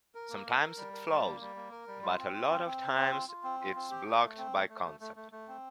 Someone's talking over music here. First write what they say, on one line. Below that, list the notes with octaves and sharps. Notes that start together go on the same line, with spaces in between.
Sometimes it flows, but a lot of times it's blocked by concept.
A#4
A#3
A#4
A#4
G3
A#4
G3
A#3
G3
A#3
A#4
G3
F4
C4
F4
C4
C4
C5
C4
F4
F4
C4
F4
C4
G4
A3
A3
C4
A3
A3
A3
A3
A3
A3
C4